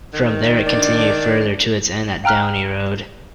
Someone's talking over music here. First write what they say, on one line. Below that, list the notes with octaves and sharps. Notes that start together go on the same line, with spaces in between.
From there, it continued further to its end at Downey Road.
D#3
D4 D5
F5 G5 A#5 F6 F#6